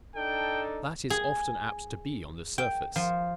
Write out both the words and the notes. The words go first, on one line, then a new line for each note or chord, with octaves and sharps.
That is often apt to be on the surface.
D4 D#4 A4 G5
G#4
G5
F3